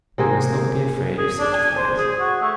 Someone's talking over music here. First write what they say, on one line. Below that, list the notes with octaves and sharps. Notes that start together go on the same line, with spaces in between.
We must not be afraid of such a phrase.
C3 A#3 G#4 C5
G#4
D4
G#5
C5
G#4
F#4
A3